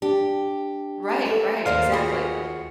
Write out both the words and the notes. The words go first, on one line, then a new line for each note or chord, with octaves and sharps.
Right, right, exactly.
D4 G4
A3
D#2 A#3 C5 D5 F5
F4 F#4 G#4